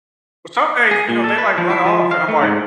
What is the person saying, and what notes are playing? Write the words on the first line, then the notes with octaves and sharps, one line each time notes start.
Well some days, you know, they, like, run off, and I'm, like
G#4
A#2
A4
B4
F3
E4
F3
F5
A3
G#2